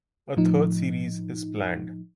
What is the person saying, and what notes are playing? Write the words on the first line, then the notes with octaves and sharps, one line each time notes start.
A third series is planned.
A2 F3 D#4